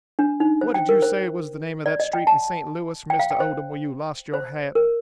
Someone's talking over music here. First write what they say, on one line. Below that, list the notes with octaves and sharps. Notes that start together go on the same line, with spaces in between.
What did you say was the name of that street in Saint Louis, Mr. Odom, where you lost your hat?'
D4
D#4
C5
G5
A#4
C5
D5
D#5
G5
A5
G5
F5
G5
C5
C5
A#4